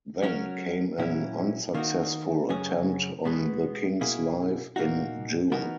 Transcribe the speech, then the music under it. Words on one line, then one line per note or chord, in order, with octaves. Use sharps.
Then came an unsuccessful attempt on the King's life in June.
F#3 C#4 F#4 A#4
A#2 F#3 C#4 E4
D#3 A#3 D#4 F#4
F#2 C#3 F#3 C#4 G#4
B2 G#3 B3
B2 A#3 E4 G#4
A#2 A#3 D#4 F#4
E3 B3 D#4 F#4 A#4